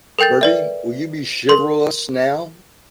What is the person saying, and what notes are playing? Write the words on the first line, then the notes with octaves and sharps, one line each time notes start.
Bertie, will you be chivalrous now?
A4 A#4 G5 G6 A6
B4 D5 E5
A#4 C6